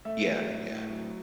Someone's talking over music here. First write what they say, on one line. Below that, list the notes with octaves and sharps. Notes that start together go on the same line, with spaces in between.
Yeah. Yeah.
A3 E5
F#3
A2
A2
F#3